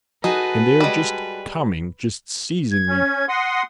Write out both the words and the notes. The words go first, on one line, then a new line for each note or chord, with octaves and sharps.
And they are just coming, just seizing me.
D#4 F#4 G#4 A4 B4
G3 G#3
G#6
C#4
F#5 C6 D#6 A#6